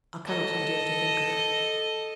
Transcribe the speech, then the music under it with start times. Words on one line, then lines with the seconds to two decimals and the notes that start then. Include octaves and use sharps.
I cannot endure to think of it.
0.27 A4 D#5